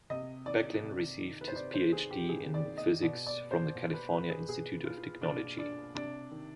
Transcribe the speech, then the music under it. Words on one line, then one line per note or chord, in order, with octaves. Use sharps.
Becklin received his Ph.D. in physics from the California Institute of Technology.
C3 D#5
D#3 D5
C3
D#3
B4
C5
C3 D5
C5
D#3 G#4
G4
C3 G#4
D5
D#3
D#5
B2 D5
D5
C5
B2
B4
B4
G#4
B2 G#4
F4
B2 D4
D4
C3 D4
D#3